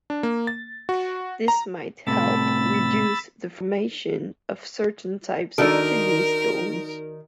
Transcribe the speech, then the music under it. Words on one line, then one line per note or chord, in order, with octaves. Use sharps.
This might help reduce the formation of certain types of kidney stones.
D4
A#3
A6
F#4
A#5
A2 C3 B5 E6 A6
D#3 D4 D#4 F#4 A4 A#4 D5 D7